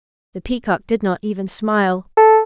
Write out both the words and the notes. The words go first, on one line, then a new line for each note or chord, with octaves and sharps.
The Peacock did not even smile.
A4